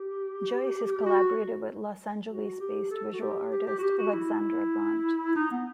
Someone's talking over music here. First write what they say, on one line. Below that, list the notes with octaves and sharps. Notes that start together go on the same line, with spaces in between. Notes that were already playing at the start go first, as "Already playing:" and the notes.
Joyce has collaborated with Los Angeles-based visual artist Alexandra Grant.
Already playing: G4
F#4
F#4
G4
A4
F#4
G4
G4
G4
F#4
G4
F#4
E4
D#4
B3